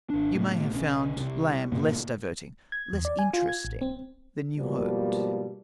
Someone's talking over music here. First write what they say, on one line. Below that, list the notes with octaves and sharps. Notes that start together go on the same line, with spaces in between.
You may have found Lamb less diverting, less interesting, than you hoped.
G#1 D4
A2 C3
B1 C#4
C2 C3
G2 A#2 C#3 A#3
G#6
E2
D5
G#5
F4
G#6
A1
C4
G#2 B2 F3 G3 A#3